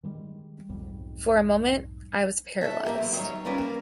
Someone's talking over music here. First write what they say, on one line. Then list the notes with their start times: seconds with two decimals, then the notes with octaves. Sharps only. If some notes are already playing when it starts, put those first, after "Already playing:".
For a moment I was paralysed.
0.03 D#3 E3 G3 G#3
0.69 B1 F2 G#2 G3
2.61 F#4 A4 E5
2.84 A2 A#3 G4
2.98 E2 F#3
3.13 D#3 F#3 G3 C#5
3.45 G3 C#4 F4 A#4 B4 D5
3.58 A#3